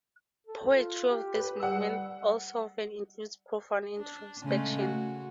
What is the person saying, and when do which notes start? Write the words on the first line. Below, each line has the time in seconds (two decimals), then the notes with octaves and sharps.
Poetry of this movement also often includes profound introspection.
0.47 A4
0.74 F4
1.09 G4
1.34 B4
1.60 G3 F#5 E6
3.98 D4
4.43 C#3 G#3 A3
4.79 F#4